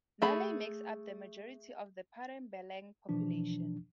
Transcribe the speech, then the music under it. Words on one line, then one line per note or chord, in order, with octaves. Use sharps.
Malay makes up the majority of the Padang Balang population.
A3 G#4 B5
B2 E3 F3 D4